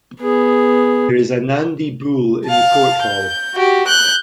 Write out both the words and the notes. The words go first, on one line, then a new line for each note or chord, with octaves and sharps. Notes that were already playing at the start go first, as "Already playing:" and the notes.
There is a Nandi bull in the court hall.
B3 G#4
F5 A5
G6
F#4 G4
F#6 G6